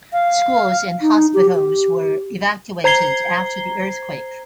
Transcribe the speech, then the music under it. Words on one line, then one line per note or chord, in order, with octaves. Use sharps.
Schools and hospitals were evacuated after the earthquake.
F5
D#4
G4
G4
C5 A#5 G#6 C7 G7